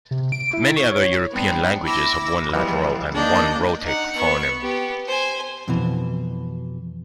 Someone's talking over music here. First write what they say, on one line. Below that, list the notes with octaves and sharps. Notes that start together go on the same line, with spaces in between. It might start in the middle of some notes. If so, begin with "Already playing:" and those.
Many other European languages have one lateral and one rhotic phoneme.
C3
D7
E4
C#6
C#5
G3 B3 C4 D4
E4 B5 D6 E6 A#6
E3 F3 G3 G#3 B3
D#3 A#3 D4 D#5 G6
D#4 F#5
B3 C#6
B3 G4
C5 G#5
F2 B2 E3